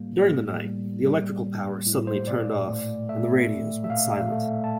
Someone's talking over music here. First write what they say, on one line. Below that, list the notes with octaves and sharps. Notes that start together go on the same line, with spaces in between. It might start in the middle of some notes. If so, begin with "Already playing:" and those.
During the night, the electrical power suddenly turned off and the radios went silent.
Already playing: A2 G3 A#3
A2
G3
G3
G3
A2
C5
A#2 D5
A3
A3 E5
A3
E5
A#2 F5
A3
A5